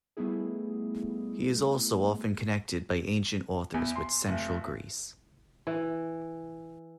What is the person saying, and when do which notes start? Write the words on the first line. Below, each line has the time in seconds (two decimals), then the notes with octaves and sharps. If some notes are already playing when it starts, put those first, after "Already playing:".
He is also often connected by ancient authors with central Greece.
0.17 G3 A3 B3 D#4 E4 G#4
3.74 E2
3.96 C6
4.28 F1
5.67 E3